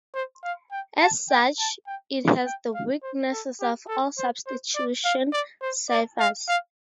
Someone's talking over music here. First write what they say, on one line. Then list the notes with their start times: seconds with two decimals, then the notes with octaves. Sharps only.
As such, it has the weaknesses of all substitution ciphers.
0.14 C5
0.43 F5
0.72 G5
1.01 A5
1.30 G5
1.59 A5
1.87 G5
2.46 G5
2.74 F5
3.03 C5
3.32 A4
3.60 G4
3.88 A4
4.18 C5
4.47 C5
4.76 D5
5.05 F5
5.32 D5
5.62 C5
5.90 D5
6.20 F5
6.48 F5